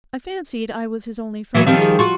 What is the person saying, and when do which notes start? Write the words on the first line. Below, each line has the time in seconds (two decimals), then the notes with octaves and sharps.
I fancied I was his only friend.
1.55 E3 F#3 A#3 B3
1.66 D#3 F3 G3 C4
1.78 G#4
1.99 F4 F#4